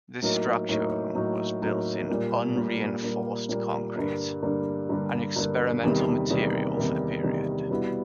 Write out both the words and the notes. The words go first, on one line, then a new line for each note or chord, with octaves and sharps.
This structure was built in unreinforced concrete, an experimental material for the period.
A2 F#3 A#3 D#4
A2 F#3 A#3 D#4
A2 F#3 A#3 D#4
A2 F#3 A#3 D#4
A#2 G3 A#3
A#2 G3 A#3
A#2 G3 A#3
A#2 G3 A#3
G2 D3 G3 A#3
G2 D3 G3 A#3
G2 D3 G3 A#3
G2 D3 G3 A#3
E2 C3 D#3 G3 A#3
E2 C3 D#3 G3 A#3
E2 C3 D#3 G3 A#3
E2 C3 D#3 G3 A#3
B2 G3 B3 E4